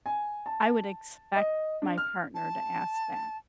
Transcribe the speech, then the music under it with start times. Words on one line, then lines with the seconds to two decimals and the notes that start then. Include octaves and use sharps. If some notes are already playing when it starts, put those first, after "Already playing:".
I would expect my partner to ask that.
0.06 G#5
0.46 A5
1.36 D#5
1.82 D4
1.98 F6
2.35 A5